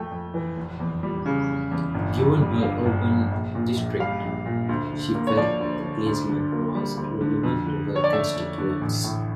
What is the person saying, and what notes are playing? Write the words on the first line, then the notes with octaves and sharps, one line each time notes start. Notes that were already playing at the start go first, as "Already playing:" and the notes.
Given her urban district, she felt the placement was irrelevant to her constituents.
Already playing: F2 A3 G5
F2
E3
F1
E2
G3
C#3
F1
E2
G1
F2
G3
D3 F5
G1
F2
A#1
A#2
A#1
G3 F5
A#1
A#2
D2
D3
A#3
C#5
F3 D5
D2
D3
D2
D3
A#3
G3
D2
D3
F2
D3
F2
C#5
D5
A3 E5
F2
D3
A1
A2